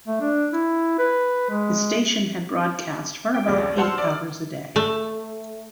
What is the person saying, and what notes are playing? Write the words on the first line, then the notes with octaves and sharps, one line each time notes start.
The station had broadcast for about eight hours a day.
A3
D4
E4
B4
G#3
G5
A#1 D#2 C#3
C5 F#5 A5 C6 E6 F6
D5
A3